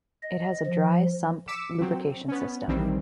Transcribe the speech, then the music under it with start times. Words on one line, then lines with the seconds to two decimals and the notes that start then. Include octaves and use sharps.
It has a dry sump lubrication system.
0.23 D#5
0.66 F3
1.48 D6 E6 B6 C#7 E7
1.80 F#3 C4
2.28 B3 C#4
2.68 A#1 D#3 E3 G3 C4